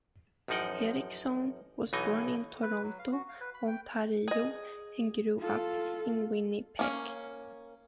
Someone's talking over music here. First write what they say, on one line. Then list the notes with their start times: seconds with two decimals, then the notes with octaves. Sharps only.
Erikson was born in Toronto, Ontario, and grew up in Winnipeg.
0.48 A1 F#2 F3 D#4 F#5 G5
1.93 B1 B2 E3 D#4 D#5 G#5
2.62 B4
2.83 F#3
2.99 F5
3.12 F#4
3.29 F5
3.41 B4
3.54 B5
3.67 G5
4.28 G#4 D#5
5.39 F4 A4
6.79 A#3 C#4